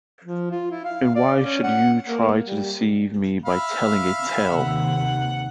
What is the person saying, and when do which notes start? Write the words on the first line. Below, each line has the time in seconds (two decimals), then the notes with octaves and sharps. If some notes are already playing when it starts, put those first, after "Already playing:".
And why should you try to deceive me by telling a tale?
0.24 F3
0.51 F4
0.71 E4
0.85 F5
1.15 D5
1.42 C#4
1.63 F#5
2.06 A#3
2.46 G3
3.46 E5 F5 B5
4.49 D#2 C3 F#5